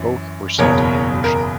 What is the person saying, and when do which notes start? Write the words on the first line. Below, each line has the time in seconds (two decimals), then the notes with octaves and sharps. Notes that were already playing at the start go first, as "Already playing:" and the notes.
Both were set in motion.
Already playing: F#2 E3
0.58 F#1 E2 B2 A#4 C#5
1.24 A#4